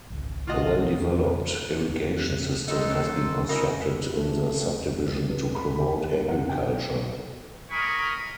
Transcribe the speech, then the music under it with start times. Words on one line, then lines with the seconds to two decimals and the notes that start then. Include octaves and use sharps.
A well-developed irrigation system has been constructed in the subdivision to promote agriculture.
0.10 G#1 C#2
0.47 B1 E3 A3 F4 F#4 D#5
2.68 F#3 G#3 D#4 A4
2.90 F#3 C5
3.49 C#3 E4 F#4 A#4 D#5
4.17 A3
5.08 G4
5.29 F1
5.55 B5
5.80 G4
6.12 G1
6.28 F#5
6.49 G5
7.70 G4 A#4 D#5 G#5 B5 C#6